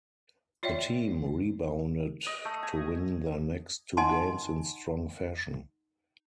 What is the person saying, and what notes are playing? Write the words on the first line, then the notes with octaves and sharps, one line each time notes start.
The team rebounded to win their next two games in strong fashion.
F4 C#5 D5 E5 G5
D#5
A3
G#5
D#4 D#5 F#5 G#5 A5 C6